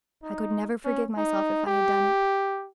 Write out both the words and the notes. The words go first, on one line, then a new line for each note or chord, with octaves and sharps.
I could never forgive myself if I had done it.
D#4
C#4
D#4
G4